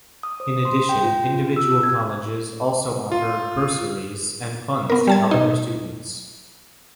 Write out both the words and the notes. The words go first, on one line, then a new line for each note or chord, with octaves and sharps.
In addition, individual colleges also offer bursaries and funds to help their students.
D#6
C5
C6
G5
F4
F4
E6
G#6
F4
B3 A#4
G3 A5 G#6
B2 D#4